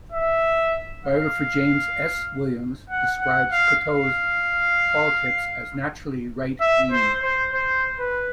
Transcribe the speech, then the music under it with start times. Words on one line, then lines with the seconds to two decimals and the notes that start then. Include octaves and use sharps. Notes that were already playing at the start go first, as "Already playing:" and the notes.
Biographer James S. Williams describes Cocteau's politics as naturally Right-leaning.
0.12 E5
1.05 F5
2.90 F#5
3.21 F#5
3.52 F5
3.82 F5
6.61 E5
6.92 C5
7.23 C5
7.53 C5
7.99 B4